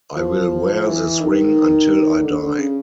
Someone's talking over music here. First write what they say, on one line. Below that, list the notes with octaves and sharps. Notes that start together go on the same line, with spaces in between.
I will wear this ring until I die.
F3
E3
D#3
D3
D3
C#3